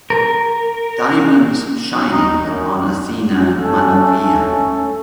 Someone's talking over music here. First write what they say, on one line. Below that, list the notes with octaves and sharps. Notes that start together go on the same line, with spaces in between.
Diamonds shining on Athena Manoukian.
A#4
D#4
F#2
A3 C#4 A4